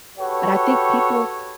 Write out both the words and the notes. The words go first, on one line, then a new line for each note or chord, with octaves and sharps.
But I think people
F#4 G4 A4 B4 C#5